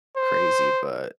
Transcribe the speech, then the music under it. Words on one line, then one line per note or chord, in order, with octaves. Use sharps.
crazy, but
C5